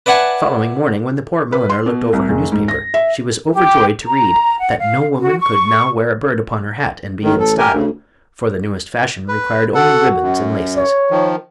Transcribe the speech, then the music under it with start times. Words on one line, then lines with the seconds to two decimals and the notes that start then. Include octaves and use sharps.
The following morning when the poor milliner looked over her newspaper she was overjoyed to read that "no woman could now wear a bird upon her hat and be in style, for the newest fashion required only ribbons and laces."
0.06 B4 D5 E5 F#5 G#5 A5
1.52 B4
1.70 C6
1.86 B2
2.13 C2
2.29 F#1
2.52 G#2
2.68 A#6
2.94 E5
3.53 G4
4.04 A#5
4.59 F#5
4.78 F5
5.19 F#4
5.39 C#6
7.23 A1 D#3
7.40 A4
7.58 G4 A#4 G#5
7.74 D2 C#3
9.28 B4
9.75 F#4 A4 F#5
10.23 F#2
10.77 C#5
11.10 D#3 F3